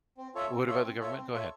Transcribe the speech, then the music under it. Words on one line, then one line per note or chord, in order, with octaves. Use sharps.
What about the government? Go ahead.
C4
F4 A4 C#5 E5
C4
F4 A4 C#5 E5
C4
F4 A4 C#5 E5
C4
F4 A4 C#5 E5